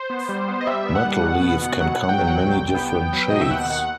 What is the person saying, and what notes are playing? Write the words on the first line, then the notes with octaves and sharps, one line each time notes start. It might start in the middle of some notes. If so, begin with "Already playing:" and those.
Metal leaf can come in many different shades.
Already playing: C5
B3
G3
B3
D#5
G3 E5
B3
F#5
G3
B2
B3
B2
F#3 F#5
F#3 F#5
G5
F#3
F#5
C2 G5
C2
B3
B3
F#3
B2 D#5
E5
D#2 F#5
D#3 F#5